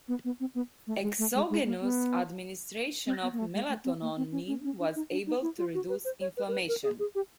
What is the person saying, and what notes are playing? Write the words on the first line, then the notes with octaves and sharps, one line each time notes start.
Exogenous administration of melatonin was able to reduce inflammation.
B3
B3
C4
B3
A3
G#3
A3
G#3
G#3
A#3
B3
C4
B3
A#3
A3
G#3
A3
C4
A#3
C4
C#4
C#4
C#4
D4
D#4
D4
D#4
E4
F4
F#4
B4
C5
C#5
B4
A#4
B4
A#4
G#4
G#4
G4